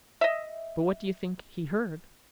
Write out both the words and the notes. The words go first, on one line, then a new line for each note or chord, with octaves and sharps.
But what do you think he heard?
D#5 E5